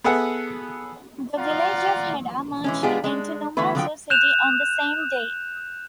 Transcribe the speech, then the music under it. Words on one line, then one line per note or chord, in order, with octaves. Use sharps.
The village of Heda merged into Numazu City on the same day.
B3 G#4 A4 E5 F#5
F4 D5 F5 F#5 A#5
E3 G#3 C#4
G#3 B3 D4 F4 G4 G#4
G#3 D4
D3 E3 A3 B3 E4 B4
D3 F3 F#3 F4 G#4 G5
F#6 G6 E7 F7